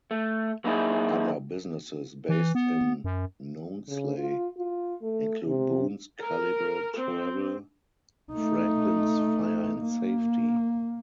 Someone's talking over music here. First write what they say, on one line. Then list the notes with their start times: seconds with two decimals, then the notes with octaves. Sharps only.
Other businesses based in Nounsley include Boon's Calibre Travel, Franklins Fire and Safety.
0.11 A3
0.64 F#3 A#3 D#4 E4 G#4
2.29 E3
2.55 B3
3.04 F#2
3.88 C#3
4.18 F4
4.58 F4
5.02 A3
5.47 C3
6.22 A#4
6.97 C4
8.32 A3 D#4
9.79 A#3